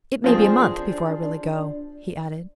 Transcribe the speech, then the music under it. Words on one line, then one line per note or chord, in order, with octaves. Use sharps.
"It may be a month before I really go," he added.
F3 C4 D4 G#4